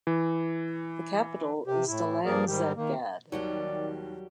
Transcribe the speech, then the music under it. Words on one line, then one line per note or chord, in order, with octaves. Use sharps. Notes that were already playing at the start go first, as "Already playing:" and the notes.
The capital is Dalanzadgad.
E3
C3 G4
A2 E4
G2 F3 A#3 G#4 A#4 D5
G#2 D#3 G3 G4
D#3 A#3
D#2 D#3 F#3 G3 G4 D5